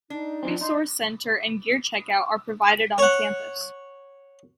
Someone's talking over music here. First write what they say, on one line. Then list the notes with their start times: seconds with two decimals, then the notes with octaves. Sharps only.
A resource center and gear checkout are provided on campus.
0.10 D4 D#4
0.43 F3 F#3 C4
0.61 D#4 C6
2.98 C#5 F#5